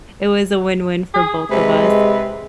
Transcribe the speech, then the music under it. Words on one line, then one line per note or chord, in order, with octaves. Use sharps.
It was a win-win for both of us.
G#4
C3 G#3 B4